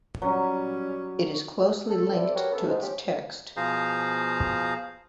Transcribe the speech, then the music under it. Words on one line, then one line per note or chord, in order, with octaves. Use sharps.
It is closely linked to its text.
F#3 G3 C#4
A4
G3 B3 C4 E4 A4 D5
F#4 G4 A#4 B4 C#5
C3 B3 C#4 A4
G#2
F3 C#4 G4
B2 F3 G#4 C5 F5 A#5